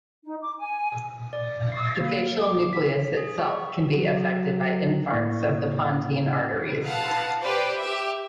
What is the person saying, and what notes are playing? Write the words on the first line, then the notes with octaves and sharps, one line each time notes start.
The facial nucleus itself can be affected by infarcts of the pontine arteries.
D#4
D6
G#5
D5
C7
A#3
D6
B6
G#4
C#6
F#3
C#2 A2 A#3 E4 D5 C#6
B4 F5 F#5 A5
G4 B4 C5 D5
G4 E5